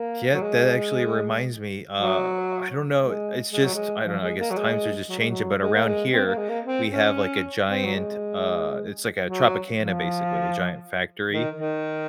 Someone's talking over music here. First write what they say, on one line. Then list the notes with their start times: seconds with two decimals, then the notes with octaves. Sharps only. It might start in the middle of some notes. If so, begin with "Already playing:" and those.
Yeah, that actually reminds me, uh, I don't know, it's just I don't know, I guess times are just changing, but around here, we have, like, a giant, uh it's like a Tropicana, basically, a giant factory,
Already playing: A#3
0.34 F#3
0.42 G#3
1.98 F#3
3.01 G#3
3.53 G#3
3.64 F#3
3.74 G#3
4.05 F3
4.22 G#3
4.40 A#3
4.51 F#3
4.57 G#3
5.09 F#3
5.19 G#3
5.30 F#3
5.61 G#3
5.73 A#3
5.85 G#3
6.12 C4
6.25 A#3
6.37 G#3
6.49 A#3
6.64 C4
6.91 C#4
7.68 C4
7.85 F#3
7.94 G#3
9.24 F#3
9.76 F3
11.31 D#3
11.57 D#3